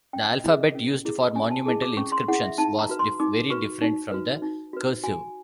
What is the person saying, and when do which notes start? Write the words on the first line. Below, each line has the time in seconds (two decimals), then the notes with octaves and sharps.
The alphabet used for monumental inscriptions was very different from the cursive.
0.13 C#4 G5
0.44 E4 G#4
0.75 C#4
1.05 E4 G#4
1.35 C#4 G#5
1.51 A5
1.66 E4 G#4 A5
1.82 D6
1.97 C#4 C#6
2.12 C6
2.28 E4 G#4 F#5
2.43 E5
2.58 D#4 A5
2.79 A#5
2.89 F#4 B4
2.99 C6
3.20 D#4 D6
3.50 F#4 B4 C#6
3.81 D#4
4.12 F#4 B4
4.42 D#4
4.73 F#4 B4
5.03 F#4 G#5